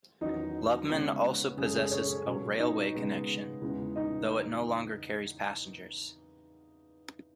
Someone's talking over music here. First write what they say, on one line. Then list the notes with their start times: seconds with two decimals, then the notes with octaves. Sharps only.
Lubmin also possesses a railway connection, though it no longer carries passengers.
0.21 E2 D#3 F#3 C#4 D#4 D#5
0.89 C#3 G#3 B3 C#4 B4
1.57 F#2 C#3 G#3 C#4 G#4
1.66 A4
1.75 G#4
1.83 A4
1.91 C#4 C#5
2.26 B2 F#3 C#4
2.59 D#4 D#5
2.94 C#3 G#3 B3
3.62 E2 C#3 E3 G#3 B3
3.96 D#4 D#5